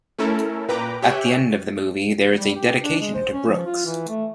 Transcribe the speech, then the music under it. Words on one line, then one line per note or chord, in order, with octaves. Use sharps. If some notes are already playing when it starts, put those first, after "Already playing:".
At the end of the movie there is a dedication to Brooks.
A3 C#4 E4 A4 A#4
A#2 B4 G5 A#5 D6
G4 C#5 E5 G5 G#5 F#6
G3
G4
D4
G#3
C5
C#4
F3
F4
E3
A3